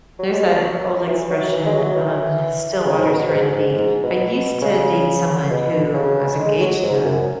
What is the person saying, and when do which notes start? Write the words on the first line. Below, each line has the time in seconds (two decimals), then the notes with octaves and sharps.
there's that old expression, um, "Still waters run deep." I used to date someone who- I was engaged to him-
0.19 F#3
0.32 G#3
0.44 F#3
1.07 E3
1.30 F#3
1.52 E3
1.66 G#3
1.74 F#3
1.96 E3
2.84 C#3
2.98 G#2
3.06 B2
3.28 G#2
3.51 G#2
3.73 G#2
4.03 B2
4.32 B2
4.62 C#3
5.50 B2
5.94 C#3
6.38 G#3
6.60 F#3
6.83 G#2
7.04 F#2